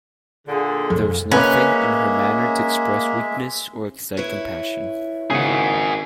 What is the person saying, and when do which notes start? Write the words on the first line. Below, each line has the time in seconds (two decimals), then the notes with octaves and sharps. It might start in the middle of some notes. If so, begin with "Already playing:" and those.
There is nothing in her manner to express weakness or excite compassion.
0.47 A#2 D3 G#4
0.90 F2 B2 A4
1.31 G#3 A#3 C#4 B4 E5
4.17 E4 B4 C#5
5.30 G#1 C#3 G#4 F#5